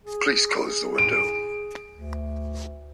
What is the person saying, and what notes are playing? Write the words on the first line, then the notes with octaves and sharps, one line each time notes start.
Please close the window.
G#4
D7
D2